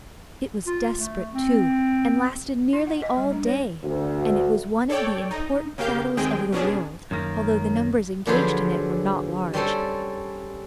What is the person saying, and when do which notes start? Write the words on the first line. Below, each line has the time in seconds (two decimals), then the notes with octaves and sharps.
It was desperate, too, and lasted nearly all day--and it was one of the important battles of the world, although the numbers engaged in it were not large.
0.67 F4
0.96 A3
1.33 C4
2.73 E4
2.87 F#5
3.02 D#5
3.17 G3
3.31 D4
3.46 C#5
3.84 D2
4.90 A4 C#5 D5 G5
5.31 D#4
5.78 C#3 A#3 G4 F5 G6
6.17 D#2 G#3 C4 G#4 G5
6.52 B2 C#4 D4 G#4
7.11 F#2 D#3 A#3
8.26 D3 F3 F#3 G#4 B4 C5
9.53 G3 C4 C#4 A4 C5